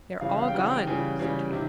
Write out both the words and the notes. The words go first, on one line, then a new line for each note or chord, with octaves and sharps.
"They're all gone," said he.
C#3 E3 G3 F5
F5
G5
C#3 E3 G3 F#5
G5
C#3 E3 G3 G#5
C#3 E3 G3
C3 D#3